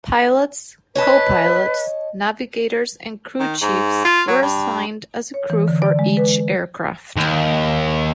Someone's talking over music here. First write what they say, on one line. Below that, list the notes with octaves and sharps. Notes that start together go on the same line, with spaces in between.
Pilots, co-pilots, navigators and crew chiefs were assigned as a crew for each aircraft.
B4 C#5 D#5 A5
D#3
G#2
F4
F#3
G2
C#5
E3
D3
D5
G#3
B4
D#2